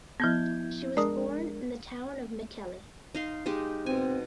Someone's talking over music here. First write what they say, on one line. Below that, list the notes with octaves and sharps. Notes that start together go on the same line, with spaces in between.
She was born in the town of Mikkeli.
F3 B3 E4 G6 G#6
G#3 D4 A#4 D5 D#6
D#4 F5 C6
G#3 D#4 G4
B2 C4 G#5